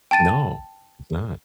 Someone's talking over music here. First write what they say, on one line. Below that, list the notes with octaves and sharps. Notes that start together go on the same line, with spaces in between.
No, it's not.
G5 A5 A6 D#7